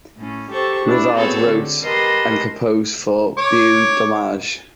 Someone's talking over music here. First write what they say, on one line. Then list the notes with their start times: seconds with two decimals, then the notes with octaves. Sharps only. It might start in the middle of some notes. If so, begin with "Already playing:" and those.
Rivard wrote and composed for Beau Dommage.
0.17 A2 C#4
0.52 G4 A4 C5 C#6
0.86 D4 E4
1.15 B3 C4 F#4 G#4 A4 C#5
1.46 D3
1.83 G4 A#4 B4 D#5 A5 C6
3.37 C#5 D6